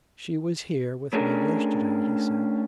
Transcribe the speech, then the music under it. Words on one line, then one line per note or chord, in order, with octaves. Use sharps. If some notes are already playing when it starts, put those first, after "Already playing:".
'She was here with me yesterday,' he said.
A3 C#4 D4 G#4 A#4